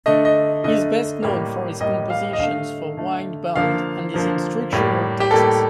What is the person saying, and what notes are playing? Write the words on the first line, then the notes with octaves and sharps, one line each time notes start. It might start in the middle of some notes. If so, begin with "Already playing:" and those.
He is best known for his compositions for wind band and his instructional texts.
D3 A3 D#5
D#5
D3 A3 D#5
A2 G3 A#3
A2 G3 A#3 D#5
F5
D#5
D3 A3 F5
D3 A3
D3 F3 A#3 F5
D3 F3 A#3
A2 G3 A#3
G4
A2 G3 A#3 A4